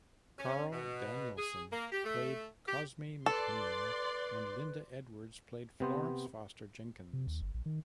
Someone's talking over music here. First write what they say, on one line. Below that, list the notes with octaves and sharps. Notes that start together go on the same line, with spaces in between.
Carl Danielsen played Cosme McMoon and Linda Edwards played Florence Foster Jenkins.
C#4
B2
G#4
A#3
G4
A3
G4
A4 B4 D5 C6
C3 B3 C5
C3
D#2
G1
A#1
D#3